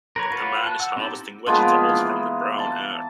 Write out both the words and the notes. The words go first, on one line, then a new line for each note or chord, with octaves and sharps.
A man is harvesting vegetables from the brown earth.
A#4 B4 C#5
F4 F#4 B4 C#5
A5 F#6
F#5 E6
C4 D#4 E4 G4 A5
F3 G#3 A#3 B3
E3
A5